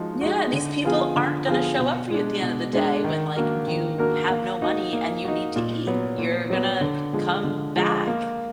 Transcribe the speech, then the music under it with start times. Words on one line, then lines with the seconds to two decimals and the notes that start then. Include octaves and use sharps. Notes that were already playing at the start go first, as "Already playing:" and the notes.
Yeah, these people aren't gonna show up for you at the end of the day when, like, you have no money and you need to eat. You're gonna come back
Already playing: F3 G#3 D#4 F#4
0.21 G#3 D#4 F#4
0.53 D3
0.84 F3 B3 F4 G#4
1.16 D3
1.48 F3 B3 F4 G#4
1.79 B2
2.10 G#3 D4
2.42 B2
2.73 G#3 D4
3.04 D#3
3.36 A#3 D4 F#4 A#4
3.67 D#3
3.98 A#3 D4 F#4 A#4
4.30 A#3
4.62 D#4 F#4
4.93 A#3
5.25 D#4 F#4
5.56 A#2
5.87 F#3 B3
6.18 A#2
6.50 F#3 B3
6.81 D3
7.13 F3 G#3
7.44 D3
7.76 F3 G#3
8.07 A#3